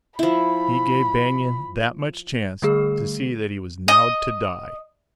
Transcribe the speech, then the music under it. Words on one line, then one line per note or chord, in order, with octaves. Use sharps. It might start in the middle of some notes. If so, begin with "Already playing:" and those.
He gave Banion that much chance to see that he was now to die.
F3 E4 B5
D3 G3 A3 G#4
D#5